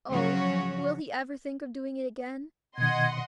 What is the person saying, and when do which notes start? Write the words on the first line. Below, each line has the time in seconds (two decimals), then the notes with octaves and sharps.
Oh! will be ever think of doing it again!
0.11 C#3 F3 F#3 C#4 F#4 C#5
2.78 B2 D#3 D#5 F#5 C6 G#6